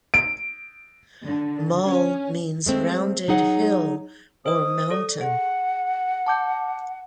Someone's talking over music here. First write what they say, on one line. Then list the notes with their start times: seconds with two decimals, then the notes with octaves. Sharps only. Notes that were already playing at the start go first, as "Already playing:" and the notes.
Mull means rounded hill or mountain.
0.14 D7
1.24 D3
1.86 C#4
2.66 G#3 A3 C4
3.28 F#3 D#4 G#4 F#5
4.46 C5 D#5 D#6
4.90 A4 D5
5.21 G#4 F#5
6.27 A5 D6 G6